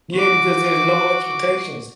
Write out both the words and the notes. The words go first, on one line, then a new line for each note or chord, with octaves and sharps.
Yeah, because there's no expectations.
F#4 D6